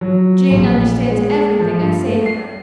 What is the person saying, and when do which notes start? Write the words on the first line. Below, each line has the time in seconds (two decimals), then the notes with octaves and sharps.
Jane understands everything I say to her.
0.01 F#3
0.50 A#1
1.10 G#3
1.59 F3
1.78 G2
2.06 A3
2.26 C7